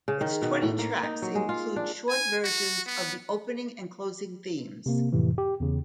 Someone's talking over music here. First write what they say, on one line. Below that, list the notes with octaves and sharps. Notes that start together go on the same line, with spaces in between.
Its twenty tracks include short versions of the opening and closing themes.
C#3
D#3
B2
A2
A#3
D#4
F#3
G#3
F4
D4
G#5
F#4
B3
C3 A#3
F2 A2 C3 E3
G4
E2 C#3